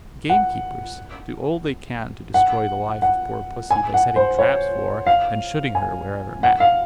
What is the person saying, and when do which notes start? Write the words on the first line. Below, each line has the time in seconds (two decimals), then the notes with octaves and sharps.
Gamekeepers do all they can to destroy the life of poor pussy by setting traps for, and shooting her wherever met.
0.30 F#5
2.34 F#5
3.02 F#5
3.71 G#5
3.94 F#5
4.16 C5
4.39 C#5
5.07 F5
5.75 G#5
6.43 F#5
6.60 F5